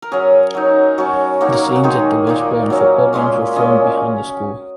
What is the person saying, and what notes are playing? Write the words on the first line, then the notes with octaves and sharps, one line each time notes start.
The scenes at the baseball and football games were filmed behind the school.
A#4
F#3 C#4 G#4
F#3 D#4
F#3 C#4 F#4
F#3 A#3 D#4
F#4
D#3 G#3 D#4 G#4
A#2 A#3 D#4
F#3 C#4
A#2 G#3 C#4
A#2 G#3 C#4 D#5